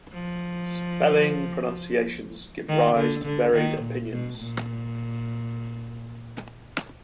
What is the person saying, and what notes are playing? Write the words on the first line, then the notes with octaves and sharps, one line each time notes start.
Spelling pronunciations give rise to varied opinions.
F3
D#3
D3
D3
D#3
A#2
B2
A#2